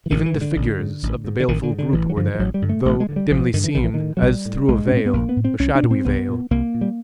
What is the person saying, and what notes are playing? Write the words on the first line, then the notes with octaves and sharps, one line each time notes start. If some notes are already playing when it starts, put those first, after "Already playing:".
Even the figures of the baleful group were there, though dimly seen as through a veil--a shadowy veil.
E3
A1 D#3
E3
G#2
D3
A1
G#2
A1
G#2
D3
A1 D#3
D3
G#2
D3
A1 E3
F#3
G2 D3 F3
F3
A1 F#3
G3
G2 D3
A3
A1 A3
G#3
G2 D3
G3
A1 F3
G2 D3 D#3
E3
A#1 D#3
E3
D#3
A2
F#3
A#1 G3
A2
A#1 G#3
A2 C#4
C4
B3
A#1 A#3
B3
A2
C4
C2 C#4
D4
A#2
C4
C2 B3
A#2
C2 A#3
A#2
G3